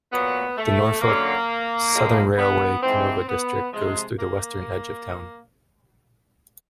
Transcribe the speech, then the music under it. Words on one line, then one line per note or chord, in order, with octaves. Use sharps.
The Norfolk Southern Railway's Kenova District goes through the western edge of town.
A#2 F#3 B3
A3
F#2 D3 F#3 A#3
A2 F3 G#3
B3
G#2 E3 G#3 C4
B3
C3 F3 G#3
A#3